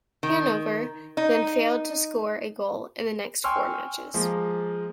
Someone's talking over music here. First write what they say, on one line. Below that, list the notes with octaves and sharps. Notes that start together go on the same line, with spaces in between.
Hannover then failed to score a goal in their next four matches.
D#3
D#4
G5 G#5 C6 C#6 E6 F6
F3 G#3 A#3